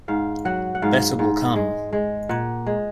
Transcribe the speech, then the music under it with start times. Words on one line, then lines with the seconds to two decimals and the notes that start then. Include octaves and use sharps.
Better will come.
0.08 G#2 F5
0.45 F#3 F#5
0.75 F#5
0.82 G#2 F5
1.19 G#2
1.56 G#3
1.93 G#3
2.29 A#2 F#5
2.66 G#3